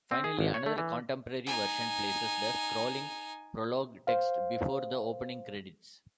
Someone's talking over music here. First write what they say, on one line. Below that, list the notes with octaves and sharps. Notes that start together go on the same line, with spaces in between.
Finally, another contemporary version places the scrolling Prologue text before the opening credits.
C4
G#4
G#1
C#5
A3
E3
D#4 G#5
C5 F5